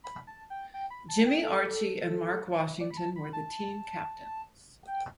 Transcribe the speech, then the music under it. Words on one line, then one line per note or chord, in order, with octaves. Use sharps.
Jimmy Archie and Marc Washington were the team captains.
B5
A5
G5
G5
B5
A5
G5
A4
D5
B5
A5
B5
A5
G5